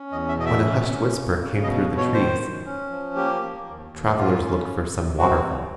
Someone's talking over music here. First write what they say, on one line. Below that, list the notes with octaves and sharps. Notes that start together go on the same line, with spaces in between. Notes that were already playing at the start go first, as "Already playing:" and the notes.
When a hushed whisper came through the trees, travellers looked for some waterfall.
Already playing: C#4
E2 D#5
E5
B2 D#5
E5
C#4
C#4
C#3
C#3
B2 D#5
B2
C#5
D#3 C5
F#2
C#4
F3
A#3 G4
A#3
D#2
D#2
G#2 F4
C#4
C3
C3
C4 F#4
G3